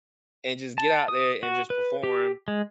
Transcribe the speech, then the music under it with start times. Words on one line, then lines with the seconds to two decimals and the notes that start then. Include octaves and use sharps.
and just get out there and just perform
0.78 A5
1.08 D#6
1.43 F#4
1.70 B4
2.03 G4
2.48 G#3